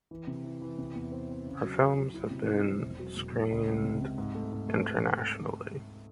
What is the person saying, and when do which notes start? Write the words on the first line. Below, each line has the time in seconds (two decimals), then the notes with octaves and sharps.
Her films have been screened internationally.
0.11 E3
0.27 C3
0.44 E3
0.61 E3
0.78 C3
0.95 E2
1.12 C4
1.29 C4
1.46 C#3
1.64 F#3
1.80 F#3
1.98 F#3
2.14 E4
2.31 C3
2.48 E4
2.65 C4
2.82 E1
2.99 F#3
3.16 E1
3.32 E1
3.51 C#2
3.68 C#2
3.84 C3
4.01 C3
4.18 G#2
4.35 A3
4.52 G#2
4.69 A3